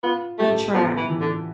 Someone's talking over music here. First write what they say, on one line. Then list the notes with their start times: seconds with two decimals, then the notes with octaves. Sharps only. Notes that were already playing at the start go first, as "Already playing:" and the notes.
He tried,
0.03 B3 F4
0.39 A3 G4
0.50 A4
0.74 F3 B3
0.97 E3
1.10 E3
1.21 D3